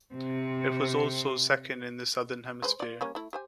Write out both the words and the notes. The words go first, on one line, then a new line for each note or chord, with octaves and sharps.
It was also second in the Southern Hemisphere.
C3 C4
G#3 B4 C5
F4 D5
G3 A#3 C#4
A3 E4
G4 C5 G#5